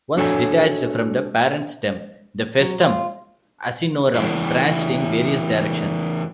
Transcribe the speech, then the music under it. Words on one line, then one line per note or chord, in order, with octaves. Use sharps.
Once detached from the parent stem, the "Festum Asinorum" branched in various directions.
D4 F#4 A4 C#5 G#5
F#3
F4
E2 A2